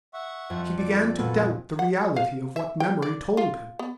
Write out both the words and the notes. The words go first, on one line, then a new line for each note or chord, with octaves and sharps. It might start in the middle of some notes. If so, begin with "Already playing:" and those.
He began to doubt the reality of what memory told him.
E5 F#5 C#6
F2
D5
A#2 F#4 A4 B4
F#5
F5
E5
G5
D5
F4
B3